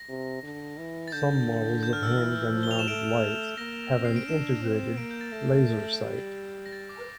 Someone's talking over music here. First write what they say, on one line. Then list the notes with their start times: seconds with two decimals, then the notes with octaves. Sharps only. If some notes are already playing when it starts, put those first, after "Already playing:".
Some models of handgun-mounted lights have an integrated laser sight.
Already playing: A#6
0.08 C3
0.43 D3
0.78 E3
1.08 A6
1.12 D3 G6
1.83 G6
1.93 F6
2.03 E6
2.13 E3 F6
2.52 F3
2.63 G7
2.71 F7
2.79 E7
2.88 A3 D7
3.58 A#3 A#6
3.93 C4
4.05 C7
4.16 D7
4.27 D4 E7
4.62 C4
4.97 A#3 D7
5.11 G6
5.21 A6
5.32 A3 A#6
6.02 G3
6.66 A#6
6.73 A6
6.89 D6